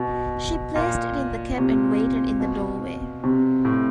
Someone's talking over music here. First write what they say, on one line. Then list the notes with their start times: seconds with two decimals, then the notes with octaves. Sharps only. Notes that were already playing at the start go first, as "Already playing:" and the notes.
She placed it in the cab and waited in the doorway.
Already playing: B2
0.75 A#2
1.58 C3
2.40 B2
3.24 C3
3.65 A2